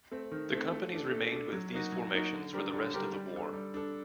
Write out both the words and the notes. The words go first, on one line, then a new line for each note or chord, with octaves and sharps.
The companies remained with these formations for the rest of the war.
A3 C4
D#3
A3 C4
A3
D4 A4
A3
D4 A4
F#3
A#3 D#4 F#4
F#3
A#3 D#4 F#4
D3
G3 D4 G4 A#4
D3
G3 D4 G4 A#4
G3
D4 A4
G3
D4 A4